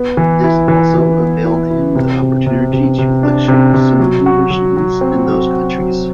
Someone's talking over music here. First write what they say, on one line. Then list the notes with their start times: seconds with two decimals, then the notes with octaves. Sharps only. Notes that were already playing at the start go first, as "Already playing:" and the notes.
This also availed him the opportunity to lecture in some universities in those countries.
Already playing: B3
0.17 E3
0.44 E4
0.68 E3
0.94 E3
1.20 B3
1.45 E4
1.70 E4
1.95 C3
2.22 C3
2.46 C3
2.73 C3
2.99 C3
3.23 D4
3.48 C3
3.74 C3
4.00 F#3
4.26 F#4
4.50 F#3
4.77 F#3
5.01 C4
5.27 F#3
5.53 F#4
5.79 F#3